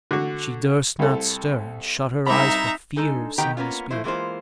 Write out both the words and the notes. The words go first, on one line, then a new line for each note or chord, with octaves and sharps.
She durst not stir, and shut her eyes for fear of seeing a spirit.
D3 F#4
C2 A4
C2 D#4 E5 A#5 B5
G#3 D4 D#4 A4 G#5
B2 D#3 B3 G4 G5 A#5
A#3 B3 C#4 F4
F3 A3 E4 C5
E3 G#3 A#3 F4 C5